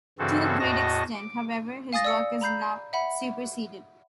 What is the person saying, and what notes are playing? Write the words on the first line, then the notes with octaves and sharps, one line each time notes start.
To a great extent, however, his work is now superseded.
G2 C#3 E3 C4 F#4 A4
E2 A2 F#4 D#5 A5 A#6
D6
F5 G#5 D#6 A6 A#6
D5 E6 C#7
A#5 B5 G6 C7
E5 F#5 B5